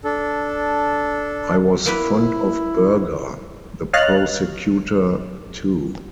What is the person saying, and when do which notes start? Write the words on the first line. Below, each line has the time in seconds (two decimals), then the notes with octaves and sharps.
I was fond of Burger, the prosecutor, too.
0.04 D4 A4
1.86 A#3 B3 E4 B4
3.93 C#5 D#5 F5 F6 F#6 A6